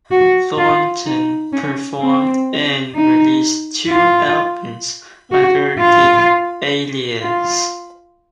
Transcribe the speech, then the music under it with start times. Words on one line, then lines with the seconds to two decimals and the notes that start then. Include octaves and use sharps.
Thornton performed and released two albums under the alias.
0.11 F#4
0.58 F4
1.06 D#4
1.53 C#4
2.01 C4
2.95 D#4
3.90 F4
5.32 F#4
5.79 F4
7.21 F4